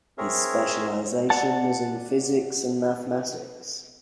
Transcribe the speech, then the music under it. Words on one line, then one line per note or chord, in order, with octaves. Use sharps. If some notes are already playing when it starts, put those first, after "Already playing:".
His specialization was in physics and mathematics.
C4 G#4 A#4 C#5 E5
D5 F#5 A5